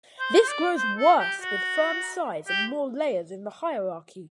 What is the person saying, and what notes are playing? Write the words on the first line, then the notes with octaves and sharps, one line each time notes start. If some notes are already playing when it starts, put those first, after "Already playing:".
This grows worse with firm size and more layers in the hierarchy.
C5
C5
D5
C5
A4
G4
F#4
G4